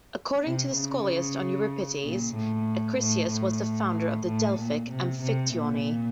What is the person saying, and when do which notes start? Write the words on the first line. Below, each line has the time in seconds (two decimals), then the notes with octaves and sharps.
According to the Scholiast on Euripides, Acrisius was the founder of the Delphic amphictyony.
0.43 C3
0.75 C#3
2.03 A#2
2.34 A2
2.98 A2
3.31 A2
4.26 A2
4.59 A#2
4.90 C3
5.22 C3
5.54 A#2